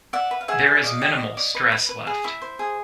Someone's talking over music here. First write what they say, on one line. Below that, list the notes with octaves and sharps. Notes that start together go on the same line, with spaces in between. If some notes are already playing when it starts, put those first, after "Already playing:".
There is minimal stress left.
D5 E5 F#5
B4
F5
G#4 E5 F#5
D5
D5 D#5 F5
G4
D5
D5
B4
B4
B4
G#4
E4 E5
C5
G#4